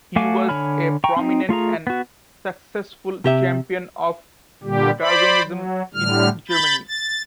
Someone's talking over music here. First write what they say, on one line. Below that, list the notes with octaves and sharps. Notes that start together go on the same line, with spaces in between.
He was a prominent and successful champion of Darwinism in Germany.
A3 F#4 F5 G#5 D6
D3 C#5 G#5 B5 F6
G5 A#5 C#6
C4 D#4
A3 F4 G#4 A#5
B3 F#4
C3 G4 E5
A#2 D3 G3 G4
C5 D5 B5
F#3
A2 D3 G3 F6
B5 G6 A6
A6